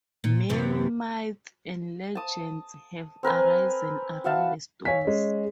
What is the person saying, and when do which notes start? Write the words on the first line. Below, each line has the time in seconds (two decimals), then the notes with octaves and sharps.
Many myths and legends have arisen around the stones.
0.24 A#2
0.49 F#2 C3 E3
2.15 A5 D#6
3.23 C4 A#4 B4 G#5
4.24 F#4 E5 F5 A5
4.85 C#5 F5 G#5 B6
5.05 G#3 C#4